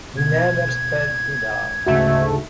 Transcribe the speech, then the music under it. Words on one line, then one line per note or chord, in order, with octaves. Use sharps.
He never spelt it out.
B2 G#6
D2 G#2 C#3 A3 F#4 E5